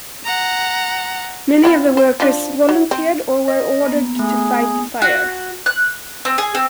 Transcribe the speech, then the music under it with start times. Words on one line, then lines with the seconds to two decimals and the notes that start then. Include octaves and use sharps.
Many of the workers volunteered or were ordered to fight the fire.
0.25 F#5 A#5
1.63 C4 E4 F4
1.97 C5
2.20 F3 D4
2.69 F#3
2.91 C4
3.48 D#5
3.83 A#3 B3
4.19 A3 G#4
5.02 F#4
5.66 F#6
6.25 C4
6.38 G#4
6.55 C4